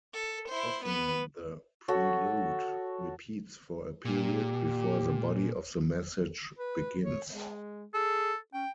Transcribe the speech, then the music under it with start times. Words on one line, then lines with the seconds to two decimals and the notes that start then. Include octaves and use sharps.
Often the prelude repeats for a period before the body of the message begins.
0.14 A4
0.48 E4 C5
0.85 B3 B4
1.88 F#4 A4 C#5
4.05 A#2 G4
6.59 B4
7.04 C#5
7.31 G#3
7.94 G#4 A4
8.54 C#4 G5